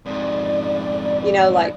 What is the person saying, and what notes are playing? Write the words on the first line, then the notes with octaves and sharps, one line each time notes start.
you know, like
F2 G#2 D5